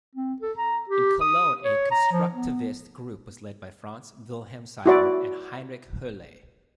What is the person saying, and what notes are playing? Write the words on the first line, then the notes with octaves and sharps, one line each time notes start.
In Cologne, a constructivist group was led by Franz Wilhelm Seiwert and Heinrich Hoerle.
C4
A4
A#5
G4
D#6
C#5
A#5
F3
B3
E4 F#4 D5